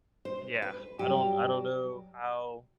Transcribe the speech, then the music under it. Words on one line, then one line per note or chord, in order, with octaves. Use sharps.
Yeah, I don't I don't know how
C5
B4
G2 F#3 G4